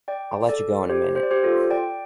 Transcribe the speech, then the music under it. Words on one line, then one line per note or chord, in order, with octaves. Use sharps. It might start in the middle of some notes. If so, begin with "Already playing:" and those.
I'll let you go in a minute.
D5 G5
A4 D5
G4 C5
C5
D5
G4 C5
F4 A4
D5 G5